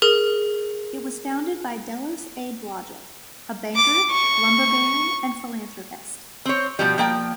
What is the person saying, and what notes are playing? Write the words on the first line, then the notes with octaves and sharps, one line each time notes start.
It was founded by Delos A. Blodgett, a banker, lumber baron, and philanthropist.
G#4 A#4
D6
C#6
C4 C#5
B2 F3 G3
F3 A#3 G5